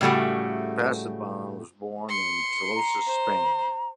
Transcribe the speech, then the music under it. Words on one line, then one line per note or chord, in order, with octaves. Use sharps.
Pasaban was born in Tolosa, Spain.
A2 C#3 G3 A3 F#4
C6 C#7
A#5
C5